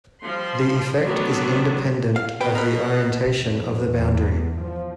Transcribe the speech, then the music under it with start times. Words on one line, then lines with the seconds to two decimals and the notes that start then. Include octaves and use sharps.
The effect is independent of the orientation of the boundary.
0.24 F3 G3 C6
1.04 D#3 F#3 A3 B3 D4
2.16 F5
2.41 B2 B4 G5
2.55 A#4 B4
3.42 F2
3.92 E2
4.56 F3